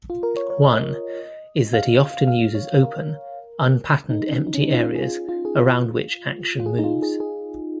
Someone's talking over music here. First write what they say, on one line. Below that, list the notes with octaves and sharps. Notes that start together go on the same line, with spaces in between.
One is that he often uses open, unpatterned empty areas around which action moves.
F4
A#4
C#5
C#5
D#5
F5
F5
C#5
A#4
D#4
C#4
D#4
C#4
D#4
F4
G#4
F4
F4
G#4
F4
F4
G#4
D#4
F4
G#4
G#4